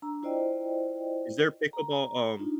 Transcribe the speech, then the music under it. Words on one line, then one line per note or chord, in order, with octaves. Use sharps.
is there pickleball, um
D4 A#5 E6
E4 F4 C5 D5 D#5 G5
A#5
D4 D#4 F4